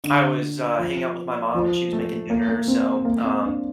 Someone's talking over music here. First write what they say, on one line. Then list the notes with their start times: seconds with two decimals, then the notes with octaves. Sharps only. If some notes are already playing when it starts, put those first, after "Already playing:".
I was, uh, hanging out with my mom and she was making dinner, so, um,
0.04 D3
0.79 F3
1.54 F3
1.93 A3
2.30 A#3
2.49 A#3
2.68 C4
3.05 A#3
3.17 A#3
3.24 C4
3.43 D4